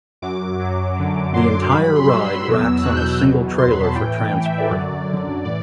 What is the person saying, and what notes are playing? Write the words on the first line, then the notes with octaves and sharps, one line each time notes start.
The entire ride racks on a single trailer for transport.
F#2 F#3 D6
F#2 F#3
F#2 D3 F#3
F#2 D3 F#3 C6
D6
C6
G2 F#3 B5
B5
C6
G2 F#3 E6
E2 B2 F#3
E2 B2 F#3 F#6
G6
F#6
E2 B2 F#3
E2 B2 F#3 C6
B5
A5
A2 E3 G5
A2 E3
E5
D5
F#2 D3 F#3 D5
F#2 D3 F#3 D5
A2 E3 D5